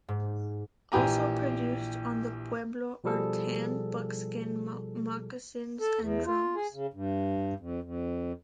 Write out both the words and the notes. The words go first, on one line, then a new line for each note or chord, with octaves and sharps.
Also produced on the pueblo are tanned buckskin moccasins and drums.
G#2
A#1 E3 G4 G#5 A#5
B2 F3 G3 G#4 A4
A4
E2
F4
G#4
C#3
G2
F2
F2